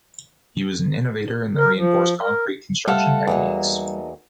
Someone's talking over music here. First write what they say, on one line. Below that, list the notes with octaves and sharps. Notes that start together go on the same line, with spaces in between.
He was an innovator in the reinforced concrete construction techniques.
A#4
F3
A#4
G3 A3 C4 A4 F5 F#5
E2 F#3 A#3 D#4